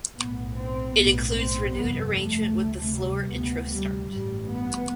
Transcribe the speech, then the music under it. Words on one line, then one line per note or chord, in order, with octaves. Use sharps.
It includes renewed arrangement with the slower intro start.
B1 A2 B3
C4
B1 A2 B3
C4
G1 F2 C3 B3
A3
D2 C3
G3
D2 C3 B3
G3
A1 G2 G3
B3